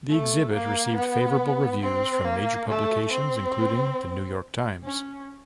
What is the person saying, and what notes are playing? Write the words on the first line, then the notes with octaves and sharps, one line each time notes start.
The exhibit received favourable reviews from major publications including "The New York Times".
A3
A#3
B3
C4
A#3
A3
C4
C#4